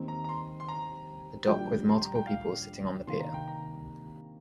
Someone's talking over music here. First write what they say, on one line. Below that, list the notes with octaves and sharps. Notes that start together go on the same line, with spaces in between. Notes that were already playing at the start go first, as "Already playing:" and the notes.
A dock with multiple people sitting on the pier.
Already playing: D#2 D#3 C4 D#4
A#5
A#5
C6
C6
A#5
A#1 A#2 G3 G5
C6
A#5
G5
F5
C3 D#3 A#3 D#4 C6
A#5
G5
A#5